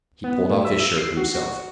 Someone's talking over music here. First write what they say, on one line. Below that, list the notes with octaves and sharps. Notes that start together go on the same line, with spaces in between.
He pulled off his shirt, himself.
B3
A2
E5
E6
C7
F#4
F#4